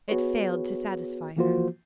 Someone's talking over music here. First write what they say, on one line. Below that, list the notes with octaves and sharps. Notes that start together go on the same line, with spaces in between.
It failed to satisfy her.
B3 F#4 G#4 B4 C#5
E3 F3 A#3 F4 F#4 C5